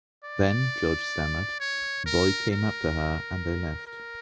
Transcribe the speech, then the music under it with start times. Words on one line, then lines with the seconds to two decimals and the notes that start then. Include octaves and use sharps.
Then...” George stammered, “a boy came up to her and they left.
0.24 D5
1.60 C#5
2.06 A#4
2.51 A#4
3.87 A#4